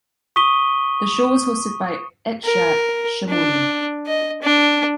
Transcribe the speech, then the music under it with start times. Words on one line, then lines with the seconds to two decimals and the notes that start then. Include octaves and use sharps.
The show was hosted by Itzhak Shimoni.
0.36 C#6 D#6 B6 D#7 G7
2.44 A#4
3.29 D4
4.07 D#5
4.42 D4